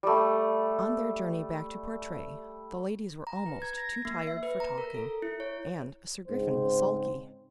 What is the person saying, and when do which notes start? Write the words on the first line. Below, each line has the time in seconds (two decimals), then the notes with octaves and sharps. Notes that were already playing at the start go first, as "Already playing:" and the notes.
On their journey back to Portray, the ladies were almost too tired for talking; and Sir Griffin was sulky.
0.03 G3 A3
3.27 A#5
3.46 B4
3.62 G#6
3.77 A#6
4.05 A#3
4.27 E5
4.43 B4
4.60 A#5
4.78 A#4
4.95 A4
5.22 E4
5.40 C#5
6.28 G#2 C#3 C4 C5